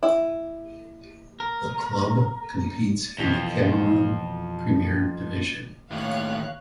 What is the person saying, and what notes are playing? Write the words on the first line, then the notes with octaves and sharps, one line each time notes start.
The club competes in the Cameroon Premiere Division.
E4
A#4
C2 F2 B2 E3
D#2 A2 C#5 F5 F#6